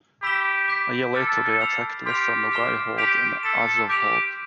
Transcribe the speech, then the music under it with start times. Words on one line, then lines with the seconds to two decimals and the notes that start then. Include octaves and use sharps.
A year later they attacked Lesser Nogai Horde and Azov Horde.
0.22 G4 B5 E6 B6 E7 G7
0.68 D6 G6 B6 D7
1.14 A4 D6 F6 A6
1.61 E6 A6 C7 F7
2.06 G4 C6 F6 C7 F7
2.52 D6 F6 C7 E7 G7
2.98 G4 G6 B6 D7 F7
3.43 A4 E6 B6 E7
3.89 G4 D6 G6 D7 F7